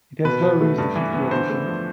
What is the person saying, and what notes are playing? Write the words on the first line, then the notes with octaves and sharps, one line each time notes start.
It has no reason to fear the truth.
B2 B4
B2
A3
G2
E3
B3
D3 C5
A3
F3